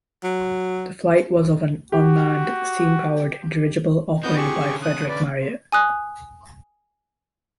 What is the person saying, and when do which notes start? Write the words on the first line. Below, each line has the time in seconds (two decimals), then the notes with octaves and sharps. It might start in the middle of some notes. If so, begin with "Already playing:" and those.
The flight was of an unmanned, steam powered dirigible operated by Frederick Marriott.
0.24 F#3
1.92 F#4 G4
4.23 B3 C4 E4 F#4 D#5 G6
4.37 G4 G#4 C#6
4.60 D3 C#4
4.82 D#6 F#6
5.08 B4 D5
5.72 G#5 D#6 F#6